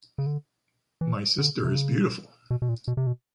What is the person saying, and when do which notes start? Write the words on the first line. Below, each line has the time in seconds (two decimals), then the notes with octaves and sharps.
My sister is beautiful.
0.18 C#3
0.26 D3
1.01 E3
1.38 D3
1.65 C3
1.75 C#3
2.50 B2
2.62 B2
2.69 A#2
2.88 B2
2.97 C3
3.07 B2